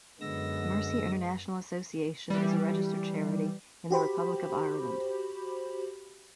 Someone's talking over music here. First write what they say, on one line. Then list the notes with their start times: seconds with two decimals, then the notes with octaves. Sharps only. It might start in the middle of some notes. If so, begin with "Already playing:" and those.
Mercy International Association is a registered charity in the Republic of Ireland.
0.21 F#2 D3 G#3 B3 E6 A#6
2.30 E3 G3
3.90 F#4 G4 C5 B5